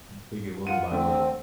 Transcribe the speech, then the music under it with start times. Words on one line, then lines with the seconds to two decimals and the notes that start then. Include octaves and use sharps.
M take it little by little.
0.67 F4 F#5 D#7
0.91 D3 A3 C4